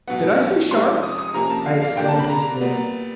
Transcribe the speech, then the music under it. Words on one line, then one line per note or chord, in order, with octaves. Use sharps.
"Did I say sharks?" I exclaimed hastily.
B2 F#3 B3 F#5
C3 F3 G#3 C#4 C6
D6
D#6
D#6
C3 F3 A#3 C#4 A#5
A5
F5
F5
D3 G3 A#3 D4 G5
A5
B5
A#5
A#2 G3 B3